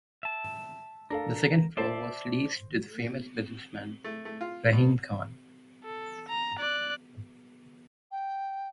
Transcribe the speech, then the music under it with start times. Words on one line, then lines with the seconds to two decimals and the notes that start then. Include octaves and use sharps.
The second floor was leased to the famous businessman Rahim khan.
0.23 E5 A5
1.10 D4 A4 A#4 F5
1.77 C5 D5 E5 A5 C7 G7
4.04 A3
4.25 A3
4.41 F4
4.72 B2
5.84 A4
6.28 A#5
6.59 D5 F#6
8.11 G5